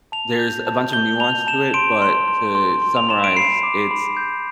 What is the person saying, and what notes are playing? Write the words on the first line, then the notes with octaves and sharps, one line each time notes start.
there's a bunch of nuance to it, but to summarize, it's
A5 F7
G6
A5
G6 G7
A5 F7
A5 E7
C6 D7
C6
C6
C6
C6
F7
C6 E7
D7
B5 C7
D6
B5
G6